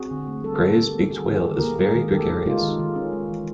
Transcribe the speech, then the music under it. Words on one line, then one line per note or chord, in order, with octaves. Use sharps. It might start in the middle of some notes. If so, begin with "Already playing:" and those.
Gray's beaked whale is very gregarious.
Already playing: C4 F#4 G#4
D3
A3
G3 A4
A#4
D#3 G4 A4
D#3
A#3
G3 F#4 G#4
D#3 G#4
G4 A4
D#3
G#4 A#4
A#3
G#3 G#4 A#4
D#3
D#3 G4 A4
C#4
G#3 D#4 F4
D#3
D#3
C#4
G#3
E3